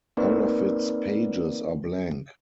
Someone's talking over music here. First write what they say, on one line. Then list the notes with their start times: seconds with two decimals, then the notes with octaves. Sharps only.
All of its pages are blank.
0.17 A#3 C4 D#4 A#4 B4 D5